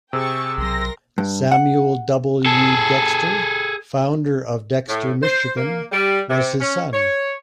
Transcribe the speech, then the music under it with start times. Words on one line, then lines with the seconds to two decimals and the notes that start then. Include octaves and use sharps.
Samuel W. Dexter, founder of Dexter, Michigan, was his son.
0.13 C3 G#4 G5 C#6 E6 A6
0.58 B1 F#3 A#4 C6 A#6
1.18 G2
1.52 F#5
2.46 G#4 A4
4.89 A2
5.23 C5
5.57 A#3
5.92 G3
6.29 C3
6.60 C#4
6.93 C#5